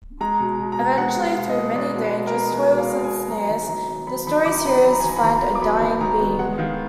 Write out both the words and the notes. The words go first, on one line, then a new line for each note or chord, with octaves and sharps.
Eventually, through many dangers, toils, and snares, the story's heroes find a dying Bean.
G#3 A#5
B2
B2
A#5
B3
G#3 F#5
B2
F5
B2
D#5
B3
G#3 D5
B2
B4
B2
A#4
B3
G#3 B4
B2
F5
B2
G#5
B3
F#3 A#5
D#3
D#3 A#5
B3
F#3 B5
D#3 B5
D#3 D6
A#5
B3 B5
F#3 B5
A#5
G#5
D#3 A#5
B5
D#3 A#5
B3
D6
F#3 B5
D#3
D#3 A#5
B3
G#3 F#5
D#3 F5